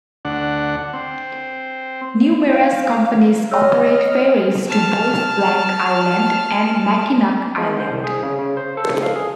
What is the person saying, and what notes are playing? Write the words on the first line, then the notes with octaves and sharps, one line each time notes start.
Numerous companies operate ferries to Bois Blanc Island and Mackinac Island.
D2 D4 F#5
C4
F5
C#5 D#5 E6 F6
A5 F6
G#3
C5
C2
G#4
C#3
C#3
C5
A4
C#3
F5
G#4